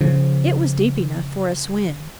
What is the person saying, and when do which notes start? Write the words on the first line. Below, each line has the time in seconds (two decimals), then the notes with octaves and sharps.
It was deep enough for a swim.
0.01 C#3 F3